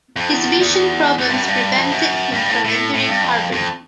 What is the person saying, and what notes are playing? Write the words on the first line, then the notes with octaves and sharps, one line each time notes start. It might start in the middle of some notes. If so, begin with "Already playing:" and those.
His vision problems prevented him from entering Harvard.
F2
E2
E2
E2
F#2
G2
F#2
G2
F2
F#2
F#2
G2
A2
A2
A2
G2
F2
F2